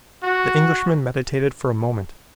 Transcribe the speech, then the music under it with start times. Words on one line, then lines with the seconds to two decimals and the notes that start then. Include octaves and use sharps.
The Englishman meditated for a moment.
0.23 F#4